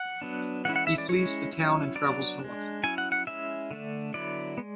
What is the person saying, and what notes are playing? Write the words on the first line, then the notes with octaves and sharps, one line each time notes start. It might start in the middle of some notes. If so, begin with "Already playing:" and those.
He flees the town and travels north.
Already playing: F#5
F#3 B3 D4
E3 G#3 C#4 E4 F#5
F#5
E5
D5
G#3 C#4 E4 C#5
F#3 C#4 E4
F#3 B3 D4 D5
D4
G#3
F#3 C#4 E4 G#5
F#5
F#5
G#3 C#4 E4 E5
D3 A3 D4
D3 F#3 B3 E4 D5
G#3 B3